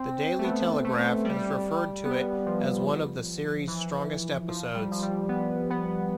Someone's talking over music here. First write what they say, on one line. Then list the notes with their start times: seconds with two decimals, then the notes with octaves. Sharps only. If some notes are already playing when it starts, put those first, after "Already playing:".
"The Daily Telegraph" has referred to it as one of the series' strongest episodes.
Already playing: C4
0.39 A3
0.44 B3
0.84 A3
1.24 G3
2.05 B3
2.46 F3
3.67 E3
4.49 F3
4.75 G3
4.91 F3
5.02 G3
5.29 B3
5.70 B3